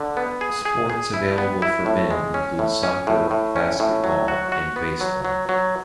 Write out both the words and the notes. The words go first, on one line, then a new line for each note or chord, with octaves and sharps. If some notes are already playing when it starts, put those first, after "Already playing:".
Sports available for men include soccer, basketball, and baseball.
Already playing: D3
B3
G#4
G#4
G#4
E4
B3
E4
A2
G#3
C#4
A2
C#4
A2
A2
C#4
A2
F#3
F#4
F#4
B3
F#3
F#3
F#3